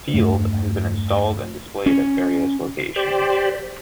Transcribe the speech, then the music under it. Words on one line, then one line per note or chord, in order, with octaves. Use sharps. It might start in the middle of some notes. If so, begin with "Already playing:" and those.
"Field" has been installed and displayed at various locations.
E2 G2 A3
C#4
G4 C5 D5